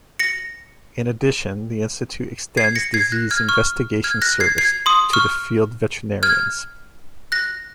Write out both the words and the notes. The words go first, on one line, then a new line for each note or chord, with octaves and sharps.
In addition, the Institute extends disease investigation service to the field veterinarians.
A#6 C#7
G#6 C7
A#6 C#7
G#6 C7
F#6 A#6
F6 G#6
C#6 F6
F6 G#6
F#6 A#6
G#6 C7
G#6 C7
C6 D#6
C#6 F6
F6 G#6
F#6 A#6